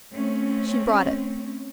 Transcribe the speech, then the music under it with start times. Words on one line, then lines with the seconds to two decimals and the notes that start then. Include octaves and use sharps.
She brought it.
0.12 A3 C4 C#4